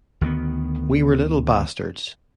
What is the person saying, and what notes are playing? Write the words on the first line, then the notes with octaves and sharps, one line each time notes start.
We were little bastards.
D2 D#3 E3 B3